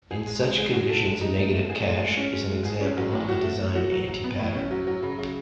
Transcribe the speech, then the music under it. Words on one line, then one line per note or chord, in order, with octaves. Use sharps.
In such conditions a negative cache is an example of a design anti-pattern.
G#4
G#3
G#3
G#4
F#4
A4
G#3
D#4
A3
A3
G#4
A3
G#3
C#4
G#3
G#3
G#4
C#4
F#3
A2
F#4
A3
A3
F#4
F#3
F#3
B3
A2
C#4
F#3
F#3
C#3
C#3